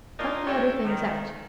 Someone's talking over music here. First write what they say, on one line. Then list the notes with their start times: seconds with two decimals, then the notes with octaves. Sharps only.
Chuck the other things out.
0.19 A#3 D4 D#4 F4
0.47 A2 D4 G4 C#5 E5
0.85 D#3